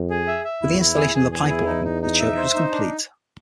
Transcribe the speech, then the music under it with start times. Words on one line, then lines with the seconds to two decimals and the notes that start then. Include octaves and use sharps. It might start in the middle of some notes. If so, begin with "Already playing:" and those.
With the installation of a pipe organ, the church was complete.
Already playing: F2
0.10 G#4
0.27 E5
0.44 E5
0.62 E2 E4
0.80 E4
0.97 G#4
1.14 E2 G#4
1.32 G#4
1.49 E4
1.66 D#4
1.84 D#4
2.02 D#4
2.20 E5
2.37 C5
2.54 D#4
2.72 D4